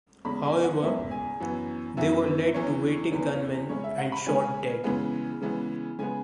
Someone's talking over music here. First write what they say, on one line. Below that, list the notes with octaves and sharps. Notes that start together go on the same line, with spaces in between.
However, they were led to waiting gunmen and shot dead.
E2 C#3 G#3 B5
G#5
F#5
E2 C#3 G#3 E5
G#5
F#2 E3 B3
F#2 E3 B3 E5
E2 E3 C#4 C#5
E2 E3 C#4 B4
C#3 G#3 C#4 C#5
E5
F#5
B5
C#3 G#3 C#4 G#5
C#3 E3 G#3 B3
C#3 E3 G#3 B3
C#3 G#3 B3 G#5